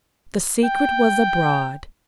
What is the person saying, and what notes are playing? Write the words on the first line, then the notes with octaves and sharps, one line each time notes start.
The secret was abroad.
G5